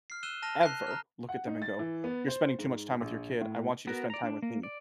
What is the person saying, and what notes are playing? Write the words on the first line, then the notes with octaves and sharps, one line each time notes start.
ever look at them and go, "You're spending too much time with your kid, I want you to spend time with me."
F6 C7
E6 F#6 D#7 E7 G7
A5 F6 A#6 D#7 F7
F#6 C7
A#5 F6
F#5
D#4
A6
E3
B3
C5
G#2
A#1
A2
B3 F#4 A#4
D5 A#5
D4
A#3
D5